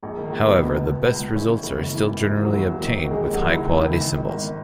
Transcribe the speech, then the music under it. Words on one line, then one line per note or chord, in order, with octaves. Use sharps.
However the best results are still generally obtained with high quality cymbals.
A#1 G#3
D#3
A#3
A#1
B2 B3
C#2
C#2
B2
C#2
C#2
C#3 E3 C#4
C#3
F#1
G#1
E3
G#1
D#2
E3
F#3 F#4
D#2
E1
D#3
E1
F#4
D#3 G#3 G#4
D#2
F#3 F#4
D#2
E4
C#2 D#3 D#4
E3
C#2
G#1
D#3
G#1